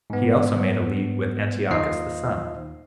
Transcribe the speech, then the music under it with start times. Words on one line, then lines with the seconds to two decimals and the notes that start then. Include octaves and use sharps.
He also made a league with Antiochus the son.
0.10 G#2 B3
1.71 D#2 D#4 F4 C5 D#5 C7